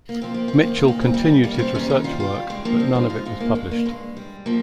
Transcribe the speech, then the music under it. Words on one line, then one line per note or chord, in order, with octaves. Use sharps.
Michell continued his research work but none of it was published.
A#3
F3 C4
A#3
C4
D#2
A#3
C4
A#2 A#3
C4
G3 A#3
G3 A#3
C#4
C4
D#2 C#4
D#4
G3 F4
F4
G2
G#3
F3 A#3
C4
G#3 D#4
F4
G#3 D#4
A#3
G2 G#3
A#3
G2 G#3
G3
F3 A#3